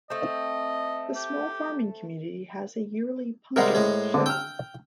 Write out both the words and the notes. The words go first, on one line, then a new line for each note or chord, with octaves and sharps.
The small farming community has a yearly "Punkin' Show".
A3 C4 D#5
G4
C3 G3 G#3 A#4 C5 F#5
A2 G#3
D3 C4
G5 E6 F6